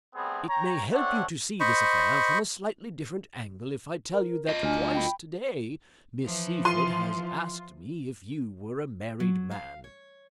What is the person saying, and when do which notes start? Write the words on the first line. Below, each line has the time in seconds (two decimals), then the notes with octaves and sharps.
"It may help you to see this affair from a slightly different angle if I tell you that twice today Miss Seyffert has asked me if you were a married man."
0.15 G3 A3 B3 C4 G#4
0.48 C#5 G5 A#5
0.92 A3 C4 D4 C#5 F#5
1.60 C5 D#5 B5 C#6
4.14 A#4
4.49 F4 D#5
4.63 D2 D4 G#5 F6
4.95 G5 B5
6.22 E3 F3
6.65 F4 C6 D#7
9.20 F#3
9.51 F5
9.84 C#5